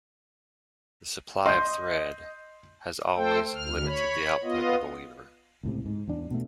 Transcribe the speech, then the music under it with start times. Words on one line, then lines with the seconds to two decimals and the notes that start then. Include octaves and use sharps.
The supply of thread has always limited the output of a weaver.
1.46 D#5 C6 G6
3.16 A3 A4 C5 G5
3.54 D2 F6
3.86 C#5 B5
4.43 B3 F4 D#5
5.63 C#2 A2 C3
5.86 G#2
6.07 E2 D4
6.31 B2 A3